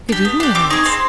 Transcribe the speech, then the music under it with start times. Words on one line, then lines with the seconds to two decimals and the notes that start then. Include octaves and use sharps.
'Good evening, Hans.
0.09 D4 G4
0.25 B3
0.40 D4 G4
0.55 C4 D6
0.70 D#4 G#4 C#6
0.85 C4 C6